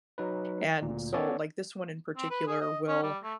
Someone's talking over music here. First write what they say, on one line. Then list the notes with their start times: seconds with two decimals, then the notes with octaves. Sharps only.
and so, like, this one in particular, will
0.18 F#3 D#4 B4
0.82 D2 A#2
1.13 B3 C#4 A4 C#5 D5
2.17 C4
2.30 B4
2.47 G#4
2.61 D#5
2.88 C#4
3.03 G3
3.24 A3